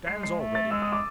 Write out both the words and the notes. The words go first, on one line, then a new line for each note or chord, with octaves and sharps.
Dan's already now.
G#3 C7
C7
A3
A6
G#3 E6
D#6
D6